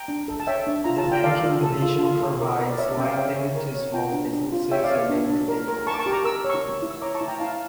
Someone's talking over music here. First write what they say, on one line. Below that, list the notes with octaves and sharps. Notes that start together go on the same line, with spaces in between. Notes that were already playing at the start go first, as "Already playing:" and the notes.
The Banking division provides lending to small businesses and individuals.
Already playing: G5 A#5
D4
A4
A5
C#5 E5 G5
D4
F4 A#5
A5
F4
G5
A4 D5 F5
F4
A4
F4
F4
A4
A#4
A#4
D5
C#5 E5
D5
C#4 G5
D5 F5
C#5 E5 G5
C#5
A#4
C#5
F4 G5 A#5
D4
D4
F4
C#5 E5 G5
D5 F5
C#5
D4
D4
A#4
A#4
A#4 A5 C#6
D6
A5 C#6
G4
A#5 D6
A#4 E6
C#5
C#6 E6
C#5
E4
E6
C#5 A#5 D6
A5 C#6
E4
G5 A#5
E4 F5 A5